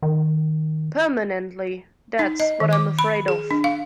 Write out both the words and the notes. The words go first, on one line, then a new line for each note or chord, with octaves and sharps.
Permanently. That’s what I’m afraid of.
D#3
D#4
D#5
D#3
D6
B5
G#4
D4
F5